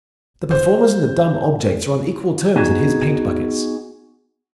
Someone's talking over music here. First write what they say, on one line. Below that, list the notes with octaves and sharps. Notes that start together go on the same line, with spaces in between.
The performers and the dumb objects are on equal terms in his paint-buckets.
C5
B3 D#4 F#4 G#4